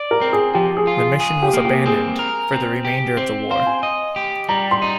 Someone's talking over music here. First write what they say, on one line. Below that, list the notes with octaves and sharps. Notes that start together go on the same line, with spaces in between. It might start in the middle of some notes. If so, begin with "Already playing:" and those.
The mission was abandoned for the remainder of the war.
Already playing: D5
A#4
C4
G#4
F3 G4
G#4
F4
G#4
G#4
G4
A#3
G4
C4 G#4
A#4
C4
G4
C4 C5
C5 F5
G#5
D#5
G4
G3 A#5
C6
D#4